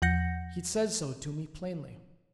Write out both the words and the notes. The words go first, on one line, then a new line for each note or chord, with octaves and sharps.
He said so to me, plainly.
E2 F3 F#5 G6 A#6 C#7